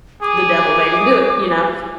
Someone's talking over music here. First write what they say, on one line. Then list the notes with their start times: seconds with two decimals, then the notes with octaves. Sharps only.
the devil made him do it, you know?
0.22 G#4 D6